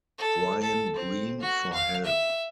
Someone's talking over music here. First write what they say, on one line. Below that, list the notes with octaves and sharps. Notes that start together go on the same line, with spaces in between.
Brian Green for help.
A4
A4
C4
F#4
F5
E5